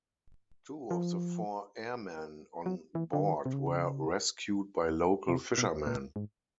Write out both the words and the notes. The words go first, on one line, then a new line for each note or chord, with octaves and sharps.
Two of the four airmen on board were rescued by local fishermen.
F3
F#3
E3
D3
D#3
C3
C#3
C3
B2
A#2
G#2